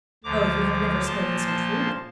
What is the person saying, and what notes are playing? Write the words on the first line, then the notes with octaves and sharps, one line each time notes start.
"Oh, you have never spoken so truly."
D2 D3 F3 A#5 D6
A#2 F3 A#3 A5 C6
A5 C6